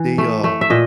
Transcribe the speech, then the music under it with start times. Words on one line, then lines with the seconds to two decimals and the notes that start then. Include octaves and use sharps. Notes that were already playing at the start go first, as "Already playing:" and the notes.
they, uh
Already playing: E3
0.18 A3
0.44 A3
0.61 E5
0.70 A#2 D#5